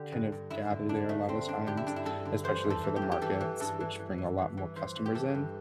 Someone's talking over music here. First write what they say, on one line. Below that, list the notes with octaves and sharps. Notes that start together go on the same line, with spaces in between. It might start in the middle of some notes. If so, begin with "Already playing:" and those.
kind of gather there a lot of times, especially for the markets, which bring a lot more customers in,
Already playing: D3 G4
G2
G2
G2 E4
D3
D3 D4
G2 A3
D3 C4
G2 D4
D3 G4
E4
G2 D4
E4
G2 A4
D3
E3 C5
E3
A4
E3
G4
E3
G4
E3 A4
E3
G2 A4
E3
E3
E3
E3
E3
E3 C5
E3
G4
E3 A4
G2